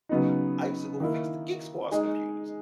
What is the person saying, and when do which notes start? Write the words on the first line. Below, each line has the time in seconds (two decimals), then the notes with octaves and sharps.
I used to go fix the Geek Squad's computers.
0.09 C#3 F#3 B3 D#4
1.00 D#3 A#3 E4
1.91 G#3 D#4 G#4